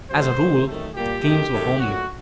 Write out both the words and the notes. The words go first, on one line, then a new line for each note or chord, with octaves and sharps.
As a rule the themes were homely.
C3 F#3 A3 C5
G2 D#3 A3
F#2 D#3 A3
A#2 G3 A#3 G4
F#2 D#3 A3
F#2 D#3 A3
A#2 F#3 A3 F#4